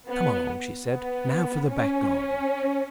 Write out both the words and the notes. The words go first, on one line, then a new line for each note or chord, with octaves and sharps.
"Come along," she said; "now for the back garden."
B3
B3
C#4